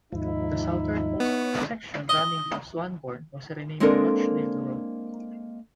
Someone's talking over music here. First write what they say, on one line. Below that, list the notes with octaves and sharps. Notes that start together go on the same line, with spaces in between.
The southernmost section running through Swanbourne was renamed Rochdale Road.
D#2 G#2 F3 D#4 E4
B3 C#5
D#5
G#3 A#3 C4 D4 A4 A#4